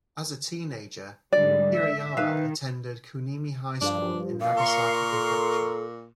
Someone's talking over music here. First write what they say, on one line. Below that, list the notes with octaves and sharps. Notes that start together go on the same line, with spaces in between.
As a teenager, Hirayama attended Kunimi High School in Nagasaki Prefecture.
G#2 D3 G3 D5
E5
D#3 B4 F5
G2 F3 D4
A#2 F5
A#4 C6 C#6
A4